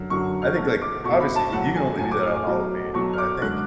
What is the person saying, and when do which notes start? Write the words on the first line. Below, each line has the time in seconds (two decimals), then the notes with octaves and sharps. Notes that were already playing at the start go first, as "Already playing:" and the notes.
I think, like, obviously you can only do that on Halloween, and I think
Already playing: F#2 D3 F#3
0.10 F#2 D3 F#3 C#6
0.42 F6
0.58 B2 A3
0.82 D6
1.04 B2 A3 C#6
1.20 B5
1.36 A5
1.52 A2 F#3 A3 F#5
1.76 G#5
1.99 A2 F#3 A3 G#5
2.11 D6
2.23 F6
2.35 D6
2.46 B2 F#3 A3
2.94 B2 F#3 A3 C#6
3.13 F6
3.18 D6
3.41 F#2 D3 G#3 F#6